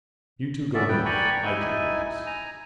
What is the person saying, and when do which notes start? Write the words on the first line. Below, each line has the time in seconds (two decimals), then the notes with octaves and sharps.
"You two go north--I take ridges."
0.74 B3 C#4 D5 E5
0.89 B4 G5
1.06 D5 G5 G#5 A#5 B5 C#6
1.46 D#4 E4 G#5
2.26 G#5 A#5